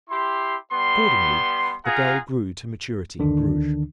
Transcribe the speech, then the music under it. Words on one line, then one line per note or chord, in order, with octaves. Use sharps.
Accordingly the girl grew to maturity in Bruges.
E4 G4 C6
G3 B3 C6
F4 G#4 F5 F#5 A#5
D2 D3 D#3 D4